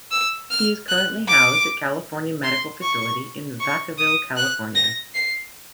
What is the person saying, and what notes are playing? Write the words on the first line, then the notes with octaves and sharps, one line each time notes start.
He is currently housed at California Medical Facility in Vacaville, California.
E6
F6
F#6
D6
C6
C#6
C#6
D#6
F#6
A#6
C7